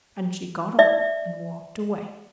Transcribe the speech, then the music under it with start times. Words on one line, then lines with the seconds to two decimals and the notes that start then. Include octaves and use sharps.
And she got up, and walked away.
0.79 D5 E5